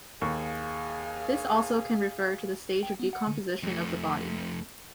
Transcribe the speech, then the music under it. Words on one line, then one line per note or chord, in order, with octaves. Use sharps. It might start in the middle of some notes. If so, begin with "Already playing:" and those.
This also can refer to the stage of decomposition of the body.
D#2 G#4 F5 C#6
G5
B3
F#5
D3
F2 A3